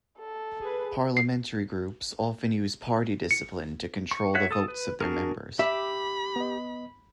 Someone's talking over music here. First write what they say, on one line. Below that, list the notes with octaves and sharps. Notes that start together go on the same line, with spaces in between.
Parliamentary groups often use party discipline to control the votes of their members.
A4
G#4 B4
C7
C#7
C#6
F#4 C#5 E5 F#6
A4 D#6
B4
D4 F#4 G#4 A#4
G4 E5 B5 D6
B3 D#5